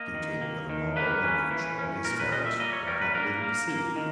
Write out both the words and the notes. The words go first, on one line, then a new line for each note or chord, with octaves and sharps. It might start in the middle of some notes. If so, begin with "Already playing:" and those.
Beauty, whether moral or natural, is felt, more properly than perceived.
Already playing: A#3 D#5
D#3
A#3
D#3
A#3 B4
C#4
E3
C#4
A#2 A#4
B4
G3 D#5
E5
A#3 D#5
C#5
G3 A#4
B4
A#3 A#4
A#3
A#3
D#3